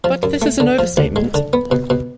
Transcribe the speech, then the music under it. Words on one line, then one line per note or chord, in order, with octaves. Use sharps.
But this is an overstatement.
F3
F#2
A3
D3
F3
D2
G#3
D3
B3
B2
B2